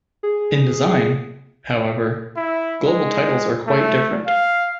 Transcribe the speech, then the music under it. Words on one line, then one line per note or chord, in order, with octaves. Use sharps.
In design, however, global titles are quite different.
G#4
E4
G#3
A3
F5